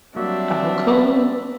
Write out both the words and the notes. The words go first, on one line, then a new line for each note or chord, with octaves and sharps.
Oh, cool.
F#3 G3 A#3 C4 D4 F#4 E5